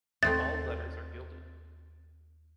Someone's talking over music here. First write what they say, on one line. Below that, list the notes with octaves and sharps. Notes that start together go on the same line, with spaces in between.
All letters are gilded.
D#2 A3 C4 D#4 A6